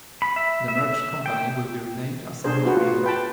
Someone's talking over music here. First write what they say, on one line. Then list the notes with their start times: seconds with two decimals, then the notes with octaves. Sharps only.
The merged company will be renamed as Nutrien.
0.22 B5
0.36 E5
0.68 E5
1.26 G5
2.44 D4 G#4 A#4 C5
2.63 B3 F4 F#4
2.77 F4
3.04 B4 G5 A5